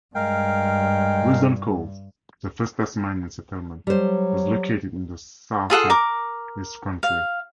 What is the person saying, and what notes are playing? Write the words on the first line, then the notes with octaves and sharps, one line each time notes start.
Risdon Cove, the first Tasmanian settlement, was located in south-east country.
G2 G#3 A#4 F5 G5
F#3 G3 C5
F4 G#4 A4 F#5
A#4 D6
F5